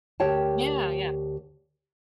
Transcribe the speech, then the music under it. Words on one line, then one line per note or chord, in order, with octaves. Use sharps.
Yeah, yeah.
D2 G4 A#4 C#5 G5 A5